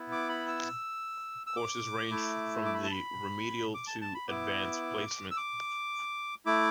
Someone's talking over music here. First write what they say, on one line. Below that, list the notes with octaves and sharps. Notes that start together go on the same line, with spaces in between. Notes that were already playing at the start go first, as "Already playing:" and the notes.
Courses range from the remedial to Advanced Placement.
Already playing: B3 E4
D6
B5
E6
E6
D6
A3 E4
D6
B5
A5
B5
D6
A5
A5
B5
B3 E4 D6
E6
D6
A3 E4 D6